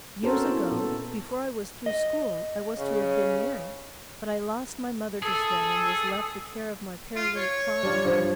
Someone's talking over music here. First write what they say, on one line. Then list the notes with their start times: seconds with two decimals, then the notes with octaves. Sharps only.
Years ago, before I was through school, I was to have been married; but I lost my mother just then and was left the care of my paralytic father.
0.23 C4 C#4 F#4 A4 A#4 C5
0.37 B3
0.50 E4
0.72 A#2 B3 A4
1.86 D#5
2.78 C#3
5.22 G#4 A4
7.16 F4
7.37 C#5
7.83 G3 D4 F4
8.05 G2 F3